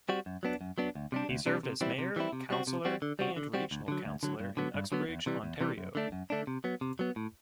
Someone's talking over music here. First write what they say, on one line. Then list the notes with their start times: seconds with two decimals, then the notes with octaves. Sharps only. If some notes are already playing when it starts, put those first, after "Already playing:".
He served as mayor, councillor and regional councillor in Uxbridge, Ontario.
0.09 G3 C4 F#4
0.26 F#2
0.43 F#3 B3 D4
0.61 F#2
0.78 F#3 B3 D4
0.95 D2
1.12 C3 G3 D4
1.29 D2
1.46 C3 G3 D4
1.63 C3
1.81 E3 G3 C4 E4
1.98 C3
2.16 E3 G3 C4 E4
2.33 C3
2.50 G3 C4 F#4
2.67 C3
2.85 G3 C4 F#4
3.02 D3
3.19 G3 C4 F#4
3.36 D3
3.54 G3 C4 F#4
3.71 D2
3.88 D3 F#3
4.05 D2
4.23 D3 F#3
4.40 G2
4.57 D3 F#3 B3
4.74 G2
4.92 D3 F#3 B3
5.09 E2
5.26 C3 E3 G3
5.43 E2
5.61 C3 E3 G3
5.78 F#2
5.95 D3 A3 D4
6.12 F#2
6.30 D3 A3 D4
6.47 C3
6.64 F#3 B3
6.81 C3
6.99 F#3 B3
7.16 A2